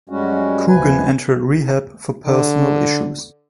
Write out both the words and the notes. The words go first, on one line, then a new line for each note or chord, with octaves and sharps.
Coogan entered rehab for personal issues.
F#2 G3 G#3 C#4 F#4
D#2 C3 F3 B4 G#5
D3